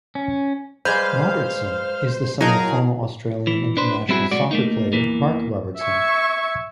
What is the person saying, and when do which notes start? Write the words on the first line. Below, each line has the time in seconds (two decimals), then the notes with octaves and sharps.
Robertson is the son of former Australian international soccer player Mark Robertson.
0.15 C#4
0.85 G3 G#3 B4 C5 F5 G6 G#6
2.41 F#3 D#4 E4 G#4 A#4 F5
3.47 E3
3.77 D4 B4 C5
4.09 G3 C4 E4 F#4 G#4
4.31 B1 A2 G#3 F#4 D5
4.51 A3 A#3 D#4
4.93 E2 E3 A#3
5.79 E5 C#6 G#6